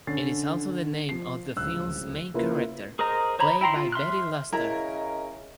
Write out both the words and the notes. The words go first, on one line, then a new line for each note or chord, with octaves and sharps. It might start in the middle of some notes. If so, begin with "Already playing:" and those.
It is also the name of the film's main character, played by Betty Luster.
D3 C#4 A6 C7
F3 C7
D1 C#2 E6 F#6
C#3 A#3 E4 F4 B4
G#4 A#4 C5 D#5 A#5
C5 C#5 A#5 B5
E4 G5 A#5 C6
F4
E5 C6 F6 F#6
C#3 E4 A#4 D#5 A#5